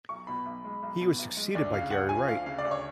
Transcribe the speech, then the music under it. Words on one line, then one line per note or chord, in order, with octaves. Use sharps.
He was succeeded by Gary Wright.
B1 C#6
B2 B5
B1
G#3
B1
B2
B1
G#3
D2 D5
C#3 F5
D2 F#5
F3 G#5
D2 F5
C#3 F5
D5
D2
C#5